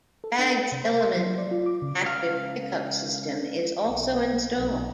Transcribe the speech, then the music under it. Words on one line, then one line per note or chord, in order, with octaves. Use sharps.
Baggs Element Active pickup system is also installed.
A4
D4
C#7
C3
C5
C6
F#3
D5
F4
D6
C#3
C#2 F5
B1
B1